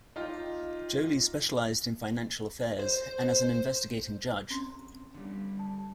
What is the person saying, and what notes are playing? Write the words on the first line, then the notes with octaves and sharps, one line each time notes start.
Joly specialised in financial affairs, and as an investigating judge.
D#4 F4 G4
C5
C4 C#4 C6
D3 G3
A5